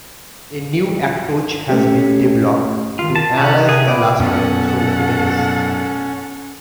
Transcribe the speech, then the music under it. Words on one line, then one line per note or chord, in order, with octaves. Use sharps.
A new approach has been developed to analyze the luster through images.
A3 C#4 G4
D#3 F4
A5
C3 C#4 F#5
G#4
B3 D5
F#2 B2 B3 C#4 A4 F#5